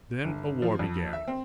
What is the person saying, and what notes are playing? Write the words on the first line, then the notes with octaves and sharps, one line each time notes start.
Then a war began.
G1
F3
F2
E5
C4